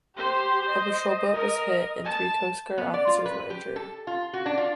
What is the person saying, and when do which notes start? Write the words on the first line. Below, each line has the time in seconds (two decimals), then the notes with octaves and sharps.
A patrol boat was hit and three coast guard officers were injured.
0.17 G4 C5
0.72 D#5
1.33 A#4
2.05 A5
2.78 B3
2.94 D5
3.07 F4
3.26 B4
3.50 G4
3.76 A4
4.07 F4
4.33 F#4
4.46 D4
4.58 F4